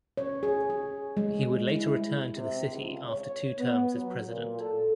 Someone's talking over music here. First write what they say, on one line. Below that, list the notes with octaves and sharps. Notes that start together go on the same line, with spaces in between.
He would later return to the city after two terms as President.
C#5
G#4
G#4
G#3
E4
C3
C#2
C#5
B3
F#3
A#2
A4